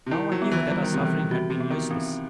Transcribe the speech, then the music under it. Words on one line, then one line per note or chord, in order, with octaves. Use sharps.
Now I knew that our suffering had been useless.
C3
D#3 E4
F#3
B3
E3
E3 G3
D#3
C3
D#3 E3
C3 F#4
C3
B3
D#3
E3 C4